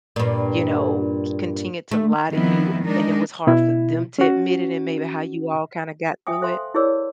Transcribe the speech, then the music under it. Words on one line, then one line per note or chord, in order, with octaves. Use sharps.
you know, c continued to lie to you, and it was hard for them to admit it and maybe how you all kinda got through it?
G2 A#2
A3
D#3 F3 G3 B3 C4 E4
G#3 D4 D#4 A#4
B2 E4
C#4 F#4
E5 G5 G#5 D#6
A4 C5 E5 F5 C6
E4 G#4 A#4 C#5 D5 E6